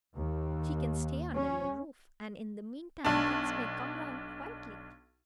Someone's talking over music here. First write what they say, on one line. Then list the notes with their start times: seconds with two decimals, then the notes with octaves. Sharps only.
She can stay under your roof, and in the mean time things may come round quietly.
0.15 D#2
1.33 C#4
3.05 B1 D4